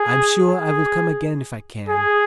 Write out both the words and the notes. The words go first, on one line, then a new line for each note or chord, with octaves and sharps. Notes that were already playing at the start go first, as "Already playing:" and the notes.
"I'm sure I will come again if I can."
Already playing: G#4
G#4
G#4